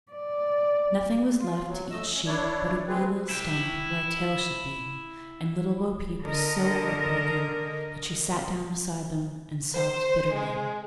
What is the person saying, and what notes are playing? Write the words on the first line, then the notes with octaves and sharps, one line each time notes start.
Nothing was left to each sheep but a wee little stump where a tail should be, and Little Bo-Peep was so heart-broken that she sat down beside them and sobbed bitterly.
D5
F4
F#3
A3 D#5 E6
C#4
D4 E4 C#5 D5
D2 G#3 C4 G#4 B4
E4 G5
D3 A#4 D#5
C5
G#3